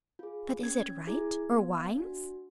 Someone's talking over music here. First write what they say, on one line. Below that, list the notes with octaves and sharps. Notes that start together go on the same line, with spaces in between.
"But is it right, or wise?"
F4 G#4
C#4 G#6
E4 G#4
B3
D4 F#4